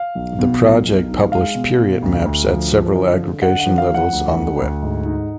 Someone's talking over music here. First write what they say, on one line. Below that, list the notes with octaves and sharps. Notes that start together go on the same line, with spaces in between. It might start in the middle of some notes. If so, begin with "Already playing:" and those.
The project published period maps at several aggregation levels on the web.
Already playing: F5
B1
B2
B1
B1
D#4
G#3 F5
B2
B2
D2
D2
F3
F3
D3
D3
D3 F#5
F#5
F3
F5
F3 F#5
D2
D2
D2
G#2
D#4